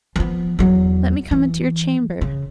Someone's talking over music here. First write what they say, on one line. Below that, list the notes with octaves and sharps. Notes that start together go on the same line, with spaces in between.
Let me come into your chamber.
F3 B3
E2 F#3
E3
C#3